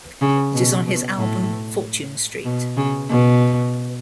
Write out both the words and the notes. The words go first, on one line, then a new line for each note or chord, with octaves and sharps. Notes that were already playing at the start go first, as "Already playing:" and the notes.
It is on his album, Fortune Street.
C#3
B2
B2
A2
B2
C#3
B2